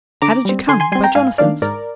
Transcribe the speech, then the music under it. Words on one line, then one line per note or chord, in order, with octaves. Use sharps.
'How did you come; by Jonathan's?'
D3 A#5 D6
G3 C4
D3 G#5 C6
G#5 C6
G3 C4 G#5 C6
G5 A#5
G#2 F5 G#5
D#3 A#3 D4 D5 F5
G#2 A#4 D5